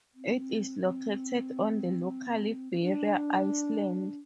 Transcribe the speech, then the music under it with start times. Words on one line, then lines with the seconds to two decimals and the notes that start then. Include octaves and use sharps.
It is located on the local barrier island.
0.14 C4
0.80 C4
2.73 C4
2.81 D4